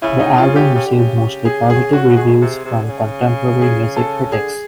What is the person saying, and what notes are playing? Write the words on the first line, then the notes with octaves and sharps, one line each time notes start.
The album received mostly positive reviews from contemporary music critics.
C#3 E4
D#4
F4
G4
C#3
D3
C#3
G#4
G#4
F#4
B2 G#4
C3
C3
D3
C#3
G#4
A4
D3 G#4